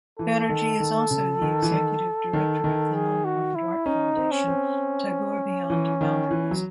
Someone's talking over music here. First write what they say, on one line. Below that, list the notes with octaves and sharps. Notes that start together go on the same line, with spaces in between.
Banerjee is also the executive director of the nonprofit art foundation Tagore Beyond Boundaries.
E3 A4
D#3
D#3
C#3
D#3
E3
D#3
D#3
D#3
G#4
F#4
E4
C#4 D#4
C4
C#4
C4
E3
D#3
E3
F#3